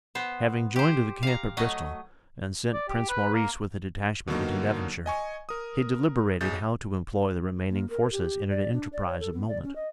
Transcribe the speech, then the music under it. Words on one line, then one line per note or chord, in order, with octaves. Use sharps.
Having joined the camp at Bristol, and sent Prince Maurice with a detachment into Devonshire, he deliberated how to employ the remaining forces in an enterprise of moment.
B3 C5
G4 C5
F5 A#5
F#3 A3 D#5
D5
G4
B4
A#3
B2 D3 D#3 F#3 A#3 D#4
D#5 G#5 C#6
A#4 D#6
B1 G#4 G6 A6
A#3
A#4
G4
D5
D4
D5
C#5
A4
B3
D5
C#4
D#5